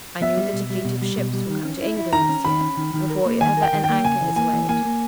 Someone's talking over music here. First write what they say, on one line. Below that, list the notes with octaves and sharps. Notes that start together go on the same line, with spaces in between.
I knew that a fleet of ships will come to England this year, before ever an anchor is weighed.
B3 E5
G3
B2
G3
B2
G3
B2
G3
D#3
C#4
E4
E4
D#3 A#5
C#4
D#3 B5
C#4
D#3
D#3
A#4
A#3
D#3 G#5
A#4 G5
D#3
G5
A#3
C#3 G#5
E3
A#3 G#5
E3
A#3 G#5
A#3